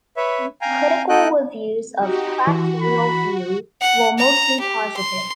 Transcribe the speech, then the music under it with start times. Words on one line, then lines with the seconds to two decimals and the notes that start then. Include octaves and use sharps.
Critical reviews of "Cracked Rear View" were mostly positive.
0.17 B4 C#5 E5
0.61 F5 G5 G#5 A#5
1.09 D#4 A4 D#5 G5 F#6
1.99 D#4 F#4 G4
2.47 E3 F#4
2.82 B5
3.81 F#5
4.18 A#5
4.60 G4
4.96 C6